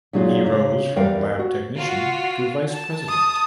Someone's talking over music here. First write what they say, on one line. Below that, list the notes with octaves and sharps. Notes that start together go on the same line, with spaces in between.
He rose from lab technician to Vice President.
A#2 F#3 G#3 D#4 F4
C#3
E2 G3 A#4 B4 F5
F#4
F4 F#4
A5
D#6